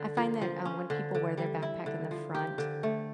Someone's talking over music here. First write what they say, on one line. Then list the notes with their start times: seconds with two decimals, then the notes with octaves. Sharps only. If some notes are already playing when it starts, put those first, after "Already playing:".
I find that, um, when people wear their backpack in the front,
Already playing: D3
0.17 F3
0.42 F3
0.65 C#4
0.90 D3
1.15 D3
1.38 G3
1.63 E4
1.86 D3
2.11 F3
2.35 G4
2.58 D3
2.83 A3